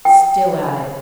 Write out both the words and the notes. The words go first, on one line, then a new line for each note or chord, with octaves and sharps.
"Still at it!"
G5